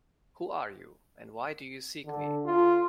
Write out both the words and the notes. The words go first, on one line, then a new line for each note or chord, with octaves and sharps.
Who are you, and why do you seek me?
D3
F4